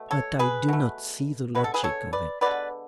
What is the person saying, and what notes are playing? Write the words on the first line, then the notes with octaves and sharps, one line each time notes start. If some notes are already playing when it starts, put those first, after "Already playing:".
But I do not see the logic of it.
Already playing: B2 A3
A4 C#5
G#4 B4
B2 A3
D3 G#3 B3 B4
A4
G#4 B4
A4 C#5
B4 D5
D3 G#3 B3 B4 D5